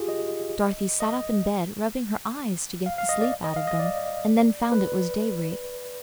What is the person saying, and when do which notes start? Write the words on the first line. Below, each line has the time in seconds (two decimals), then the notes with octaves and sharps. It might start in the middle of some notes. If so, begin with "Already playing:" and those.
Dorothy sat up in bed, rubbing her eyes to get the sleep out of them, and then found it was daybreak.
Already playing: F4 G4 G#4
0.09 D#5
1.00 D#5
2.86 F5
2.98 F5
3.09 D#5
3.21 D5
3.44 D#5
3.56 F5
3.67 D#5
3.79 D5
4.72 B4